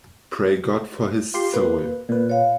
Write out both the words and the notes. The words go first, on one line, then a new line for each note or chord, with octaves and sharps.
"Pray God for his soul.'".
F4 G4 C6
A#3 B4
A#2 B4
C#5 F5